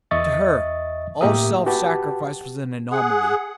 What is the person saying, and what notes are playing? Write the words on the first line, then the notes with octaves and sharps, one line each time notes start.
To her all self-sacrifice was an anomaly.
E2 D#5 E5 C#6 D#6 A6
A2 A#3 G4 A#4 E5 D#6
F#4 G4 B4 F#5 A5
G#4 F#5